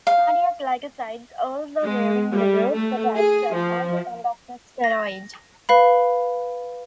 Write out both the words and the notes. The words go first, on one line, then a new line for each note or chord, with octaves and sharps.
Cardiac glycosides also vary in the groups attached at either end of the steroid.
F5
G#3
G3
A3
G#4
F3
A#6
B4 F5 B5